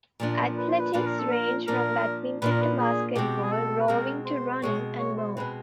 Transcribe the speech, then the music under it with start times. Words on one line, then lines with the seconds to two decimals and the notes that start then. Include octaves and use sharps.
Athletics range from badminton to basketball, rowing to running, and more.
0.20 A#2 F3 A#3 D4
0.57 B4
0.69 C5
0.80 B4
0.93 A#2 F3 A#3 D4 B4
1.06 A#4
1.19 A4
1.32 A#4
1.67 A#2 F3 A#3 D4 A#4
2.42 A#2 F3 A#3 D4 B4
2.51 A#4
2.61 B4
2.78 G#4
3.15 B2 G#3 C4 G4
3.43 G#4
3.52 A4
3.80 B4
3.88 B2 G#3 C4 A#4
4.25 C5
4.62 B2 G#3 C4 C#5
4.99 C#5
5.18 C5
5.36 B2 G#3 C4 B4